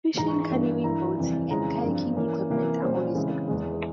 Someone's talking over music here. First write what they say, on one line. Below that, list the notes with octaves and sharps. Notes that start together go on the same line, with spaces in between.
Fishing, canoeing, boating, and kayaking equipment are always accessible.
G#2 E3 G#3 A#5
C#6
C#6
G2 E3 G3 A#3
G2 E3 A#3 E4 A#5
F2 C3 E3 G3
F2 C#3 E3 G#3 A#5
G2 F3 C4
E3 A#3 C#4
C3 E3 A#3
A#2 G3 C#4 C5
C#3 E3 G#3 C4
E2 E3 G#3